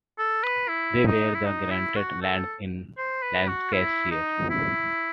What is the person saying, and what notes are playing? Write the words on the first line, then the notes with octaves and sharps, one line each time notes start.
They were granted lands in Lancashire.
A4
B4
E4
D#4
E4
D#4
E4
F#4
A4
C5
B4
F#4
E4
D#4
E4